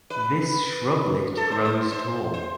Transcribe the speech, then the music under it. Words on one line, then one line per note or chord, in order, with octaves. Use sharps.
This shrublet grows tall.
B4
A4
C5
C5
C5
C5